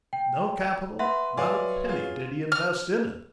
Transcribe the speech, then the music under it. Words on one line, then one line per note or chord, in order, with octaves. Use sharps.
No capital, not a penny did he invest in it.
G5
B4 E5 F#5 C6
F#3 B4 D5 F5 G#5
F4 G#4
F6